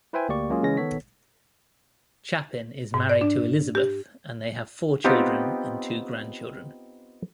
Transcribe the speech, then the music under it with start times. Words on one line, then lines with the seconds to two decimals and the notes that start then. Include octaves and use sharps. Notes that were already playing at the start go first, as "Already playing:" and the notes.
Chapin is married to Elizabeth and they have four children and two grandchildren.
0.13 E4 B4 C5 E5 G5 G#5
0.29 D2 A#3 G4 D5 C#6
0.50 F#3 G#3 A#3 C#4 F4 G#4
0.63 C#3 E3 G#3 C#4 A#6
0.77 D#3 B3 A4 C#5 B6
2.94 G#2
3.09 D5
3.21 D4
3.75 G4
5.04 B3 C4 D#4 F4 G4